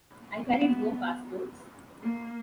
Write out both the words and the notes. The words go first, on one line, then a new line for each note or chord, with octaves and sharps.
I carried no passports.
B3
A#3